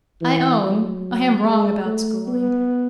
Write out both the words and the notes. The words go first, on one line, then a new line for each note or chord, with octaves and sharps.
'I own, I am wrong about schooling.
E3
F#3
G#3
A3
B3